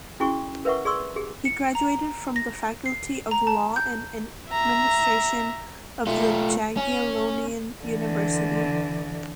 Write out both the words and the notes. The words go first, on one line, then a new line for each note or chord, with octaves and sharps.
He graduated from the Faculty of Law and Administration of the Jagiellonian University.
C#4 E4 F#4 G#4 C#6
A#4 B4 E5 F#5 C#6
G#4 D5 C6 C#6 E6
G4 G#4
C#7
A#5
A#6
C7
A#5
A5
G6
E5 A#5
A3 F4
C#4
D3 E3